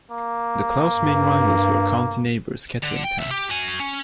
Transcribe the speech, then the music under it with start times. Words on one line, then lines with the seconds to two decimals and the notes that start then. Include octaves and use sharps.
The club's main rivals were county neighbours Kettering Town.
0.11 A#3
0.95 G2
2.83 D3
3.04 G5
3.19 D#2 E5
3.31 G4
3.50 F#4 G#5
3.80 C#4